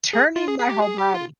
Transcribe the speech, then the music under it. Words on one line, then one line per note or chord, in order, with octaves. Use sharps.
turning my whole body?
G#4
F4
G#4
G#4
G4
G#4
G4
F4